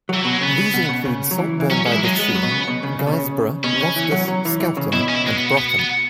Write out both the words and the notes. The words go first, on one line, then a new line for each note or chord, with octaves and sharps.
These include Saltburn-by-the-Sea, Guisborough, Loftus, Skelton and Brotton.
E3 F#3
B2 F#3
G#3
C#3 B3
B2
B2
C#3
F#3
E3
E3
F#3 C#4
G#3 C#4
E4
E3
F#3 G#3
B3
G#3
F#3
B2
C#3
B2
C#3
C#3
B2
C#3
B2 C#4
C#3
E3
F#3
F#3
E3
E3
C#3
B2 E4
C#4
E4
G#3
B3
B3
B3